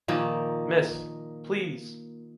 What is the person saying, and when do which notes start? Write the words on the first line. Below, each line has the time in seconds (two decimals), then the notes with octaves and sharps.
Mrs!... Please!...
0.08 A#2 D#3 F3 A#3